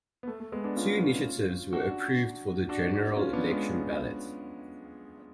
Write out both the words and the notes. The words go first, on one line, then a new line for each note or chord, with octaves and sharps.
Two initiatives were approved for the General Election ballot.
B3
A3
A3
G#3 B3
B3 D4
C#4 F4
D4 F#4
D4 F#4
C#4 F4
B3 D4
G#3 B3